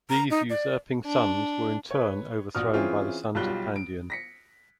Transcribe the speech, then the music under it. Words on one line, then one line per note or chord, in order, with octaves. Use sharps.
These usurping sons were in turn overthrown by the sons of Pandion.
A#5
D#4
D5
D4
B4 C#5
D#1 A#1 F#4 D#6 F6
E3 C4 C#4 E4 F4 G#4
B1 F#3 G3 F4 F#6 G7
D7
A#6 B6 C#7